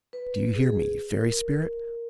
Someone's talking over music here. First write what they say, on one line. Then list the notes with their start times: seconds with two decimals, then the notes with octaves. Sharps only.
Do you hear me, you fairy spirit?
0.13 B4
0.55 G#4
1.12 A#4